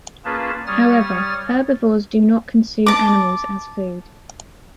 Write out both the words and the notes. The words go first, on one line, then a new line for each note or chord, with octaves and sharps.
However, herbivores do not consume animals as food.
A#3 C#4 F4 G#4 B4 A5
G3 C#5 D#6 F6 A6
A5 D6